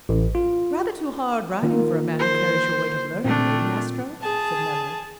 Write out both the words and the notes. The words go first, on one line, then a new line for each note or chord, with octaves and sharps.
"Rather too hard riding for a man who carries your weight of learning: eh, Maestro?" said Nello.
A1
F4
D#3 A#3 F4
C5
A#2 A3 C4 D4
G#4 A5